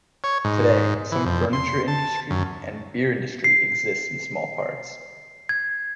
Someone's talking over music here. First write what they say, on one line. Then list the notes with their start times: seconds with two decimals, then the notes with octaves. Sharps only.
Today some furniture industry and beer industry exists in small parts.
0.24 C#5
0.44 G#2
1.12 E3
1.25 F2
1.53 C6
1.88 A5
2.30 F#2
3.44 C7
5.49 G#6